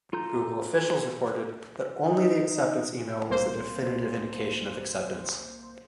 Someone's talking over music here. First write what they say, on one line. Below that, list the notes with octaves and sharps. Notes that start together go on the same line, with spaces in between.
Google officials reported that only the acceptance email was the definitive indication of acceptance.
F4 A4 A#5 G6
D#4
D#4
C2 A#3 C5